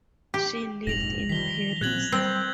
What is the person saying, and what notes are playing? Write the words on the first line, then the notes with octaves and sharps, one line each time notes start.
She lived in Paris.
G4
F1 A#1 G#2 A#6 F7 F#7
D#3 F3 G3 B6 G7
A#2 F#3 C4 F#6 G#6 F#7
G3 C4 G6 F#7